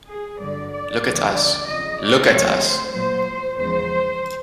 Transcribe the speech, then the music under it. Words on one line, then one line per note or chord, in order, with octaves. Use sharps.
Look at us — look at us!
G#4
G2 D3 F#3 D5
D5
D#2 D3 F3
D5
F2 C#3 F#3 D#5
D5
D2 C3 F3 G#3 C#5
C5
A#2 F#3 C5
E2 C#3 F3 G#3 C5